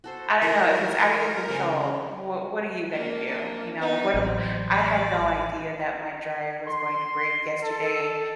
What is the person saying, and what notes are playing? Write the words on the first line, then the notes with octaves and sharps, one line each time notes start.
I don't know, if it's outta your control, w what are you gonna do? You know? What am I had no idea that my dryer was going to break yesterday,
F#4 A4 C5
E3 G3 D#4 A#4
C#3 G#3 C4
A#3 D4
B3 D#4
A1 F#3 C4
D5
C6
A4